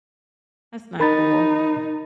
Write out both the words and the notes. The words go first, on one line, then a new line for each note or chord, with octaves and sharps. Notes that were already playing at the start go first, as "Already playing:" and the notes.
That's not cool.
D#4 A#4 B5 A6